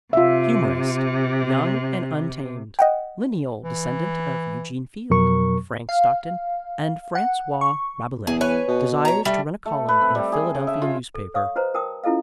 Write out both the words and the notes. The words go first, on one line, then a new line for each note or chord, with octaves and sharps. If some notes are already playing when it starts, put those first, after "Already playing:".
HUMORIST: Young and untamed, lineal descendent of Eugene Field, Frank Stockton, and Francois Rabelais, desires to run a column in a Philadelphia newspaper.
C3 F4 E5
D#5 F#5 G5
E3
F2 B2 F#3 A#4 C#6
F5
F#5
C#6
E2 G#4
B4 C#5 G#5
B2
C#5 A#5
G3 A3
A3
B4
C4
G3
G#4
C#3
E5
F4
A4
C#5 F5 C#6 D#6
F#4 B4 C5 D#5 A#5
F#4 A#4 G5 A5 D#6
C#4 E4 F4 A4 D#5 F5